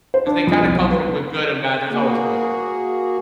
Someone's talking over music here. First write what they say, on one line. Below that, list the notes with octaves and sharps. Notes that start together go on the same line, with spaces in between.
'Cause they kinda come from w good and bad. There's always good.
C5
D4
F2
C2
B1
B4
A#3 F#4 G#4